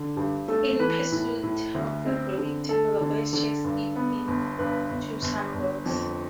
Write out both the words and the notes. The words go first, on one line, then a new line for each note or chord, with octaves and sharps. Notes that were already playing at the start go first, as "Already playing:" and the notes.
In pursuit of the rabbit the boys chased it into some rocks.
Already playing: D3
G2 G4
A3 A4
E3 B4
A2
A2
D2
C4
D3
A3 A4
D3
D3
G2
B3
G1
G2 B4
G1
G1
G1
F2